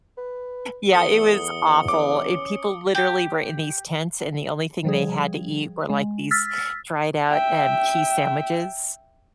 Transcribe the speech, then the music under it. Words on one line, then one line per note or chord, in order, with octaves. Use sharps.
Yeah, it was awful. It people literally were in these tents, and the only thing they had to eat were, like, these dried out, um, cheese sandwiches.
B4
E2 A3 D#6 C#7 G7
C#4 D6
G4
F3 G3 G#4
G#3
E6 F6 A6 B6
E5 G5